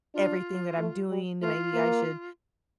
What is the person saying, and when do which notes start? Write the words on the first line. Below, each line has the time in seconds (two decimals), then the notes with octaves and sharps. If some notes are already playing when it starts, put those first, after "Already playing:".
everything that I'm doing, then maybe I should
0.14 D4 F4
0.78 A3
1.10 G3
1.41 A3 F4
1.73 A#3